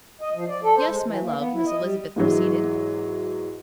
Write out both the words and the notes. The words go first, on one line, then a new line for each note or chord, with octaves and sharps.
"Yes, my love!" Miss Elizabeth proceeded.
D#5
F3
D5
A4
C5
G#3
E3
A#3
B3
E4
D#5
G3
G#2 E3 F#3